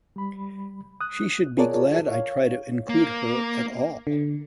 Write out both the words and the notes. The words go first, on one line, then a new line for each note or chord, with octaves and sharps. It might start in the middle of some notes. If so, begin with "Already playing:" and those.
She should be glad I try to include her at all.
G3 B5
D#6 F#6
F4 G#4 A#4 C#5 D5 A5
C#5 F5
A#3
D3